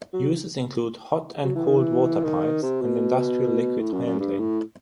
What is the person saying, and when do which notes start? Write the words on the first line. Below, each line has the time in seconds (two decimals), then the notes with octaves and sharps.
Uses include hot and cold water pipes, and industrial liquid handling.
0.13 F#3
1.44 F#3
1.55 E3
1.65 D#3
1.76 E3
2.23 D#3
2.62 C3
2.81 B2
3.80 A2
3.93 F#2
4.06 F#2
4.20 G2
4.39 A2